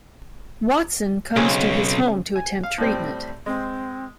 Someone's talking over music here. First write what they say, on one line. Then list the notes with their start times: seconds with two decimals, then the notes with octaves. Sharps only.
Watson comes to his home to attempt treatment.
1.36 B1 C#3 C4 C#4
2.36 G#5
2.63 F5
2.78 A2 G3 C4
3.46 G#3 C4